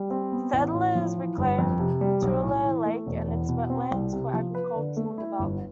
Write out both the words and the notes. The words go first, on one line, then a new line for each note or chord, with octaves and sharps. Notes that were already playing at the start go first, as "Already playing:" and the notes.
Settlers reclaimed Tulare Lake and its wetlands for agricultural development.
Already playing: G3
C4
B3
A1
A2
F3
E3
G1
F2
C3
G3
B1
A2
E3
A3
E1
E2
B2
C4
C2
C3
F3
B4
D3
A3
E4
G1